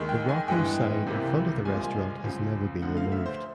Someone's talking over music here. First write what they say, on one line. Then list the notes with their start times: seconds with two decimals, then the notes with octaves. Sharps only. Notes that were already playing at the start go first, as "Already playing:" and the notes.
The Rocco sign in front of the restaurant has never been removed.
Already playing: D#2 D#3 G#3
0.09 G5
0.29 G#5
0.48 G2 E3 G#3 B3 G5
1.07 C#2 C3 E3 G3 A#3
1.65 C2 A#2 F3 G#3 G#5
2.24 C#2 C#3 F3
2.82 D2 D3 F3 F#5
2.97 F5
3.12 E5
3.26 C5